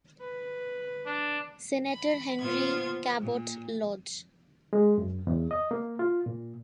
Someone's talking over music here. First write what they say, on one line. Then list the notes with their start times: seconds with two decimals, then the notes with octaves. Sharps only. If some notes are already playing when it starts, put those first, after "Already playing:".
Senator Henry Cabot Lodge.
0.21 B4
1.06 D4
1.90 B5
2.40 A#2 B3 F4 C5 G#6
3.19 A#2
4.73 G#3
4.98 F#2
5.27 E2
5.51 D#5
5.71 A#3
5.99 F4
6.26 A#2